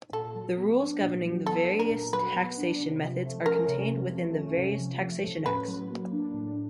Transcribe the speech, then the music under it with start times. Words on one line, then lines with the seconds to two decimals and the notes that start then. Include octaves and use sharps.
The rules governing the various taxation methods are contained within the various taxation Acts.
0.12 A#2 A4
0.35 F#3
0.57 B3
0.80 D4
1.01 A#2
1.24 F#3
1.46 B3 A4
1.68 D4
1.79 A#4
1.91 A#2
2.13 F#3 B4
2.35 B3
2.57 D4
2.79 C3
3.02 F3
3.24 A3
3.46 C#4 A#4
3.68 C3
3.90 F3
4.13 A3
4.35 C#4
4.57 C3
4.79 F3
5.01 A3
5.24 C#4
5.46 A2 B4
5.67 F#3
5.91 A#3
6.12 D4
6.34 A2